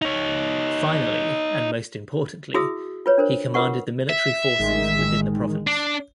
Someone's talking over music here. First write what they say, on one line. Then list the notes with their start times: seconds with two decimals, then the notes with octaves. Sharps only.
Finally, and most importantly, he commanded the military forces within the province.
0.02 D#4 C#5
2.54 E4 F#4 G#4 E5 D#6 E6
3.06 F4 B4 C#5
3.18 D4 A#4 C5
3.54 F4 A#4 B4 F#5 C#6
4.09 E5
4.58 A1 D#3 G#3
5.67 D4